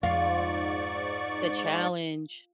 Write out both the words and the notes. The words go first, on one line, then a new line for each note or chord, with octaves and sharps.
The challenge.
F2 G#2 F4 D5 C#6